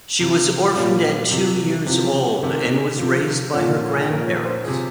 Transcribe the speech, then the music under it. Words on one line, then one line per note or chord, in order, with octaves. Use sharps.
She was orphaned at two years old and was raised by her grandparents.
C3 F3
A#2 F3 C#4
C3 F3
C3 F3 C4
C3 D#3
C3 F3
A#2 F3 C#4
F4
G#4
A#2 F3 A#4
C#5
C5
C3 F3 G#4